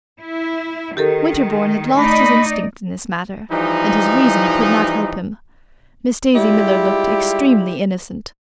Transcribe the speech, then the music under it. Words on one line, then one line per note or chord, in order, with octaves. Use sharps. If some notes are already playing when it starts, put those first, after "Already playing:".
Winterbourne had lost his instinct in this matter, and his reason could not help him. Miss Daisy Miller looked extremely innocent.
E4
D#3 G4 A4 A#4
A3 D#4 D5 D#5 B5
E3 F3 G3 D#4
G3 G#3 E4 F4 G4